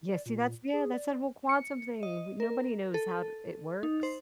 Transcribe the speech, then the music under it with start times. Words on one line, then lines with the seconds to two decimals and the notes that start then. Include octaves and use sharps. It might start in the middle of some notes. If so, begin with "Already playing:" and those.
Yes, see, that's Yeah, that's what a quantum thing we nobody knows how it works.
0.14 D5
0.26 A#2
0.73 G#4
0.93 D5
1.49 C#7
2.03 D#5
2.40 A#4
2.94 A4
3.83 D#4
4.03 C5